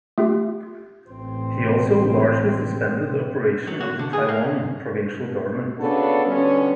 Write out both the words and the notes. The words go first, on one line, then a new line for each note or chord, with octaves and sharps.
He also largely suspended the operation of the Taiwan Provincial Government.
A3 F4 G4
A1 C4
F#3
F#4
D3
G#4
A#3
C#3 B3 D4 F#4 A4
B2 D3 G3 B3 C#4